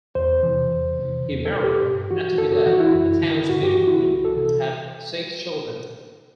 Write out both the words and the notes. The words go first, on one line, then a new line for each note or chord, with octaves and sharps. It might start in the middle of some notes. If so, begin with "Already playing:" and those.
He married Natividad, a town's beauty queen and had six children.
E2 C5
C3 E3
E2
C3 E3
E2
A4
B2
G4
G2
E3 F#4
F#2 A4
F#4
E3 F#4
E4
F#2
D3
G2 F#4
G4
F#4
E3
E4
C2 F#4
A4
C3 E3